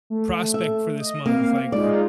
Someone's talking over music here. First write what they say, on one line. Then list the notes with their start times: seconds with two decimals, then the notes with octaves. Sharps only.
prospect for this month, like,
0.10 A3
0.54 E5
0.99 D#5
1.26 A#3 C4 F5
1.72 G#3 D#4 F4 D5